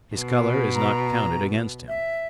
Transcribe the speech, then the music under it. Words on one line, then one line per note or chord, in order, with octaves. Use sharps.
His color is not counted against him.
B2
A#5
E5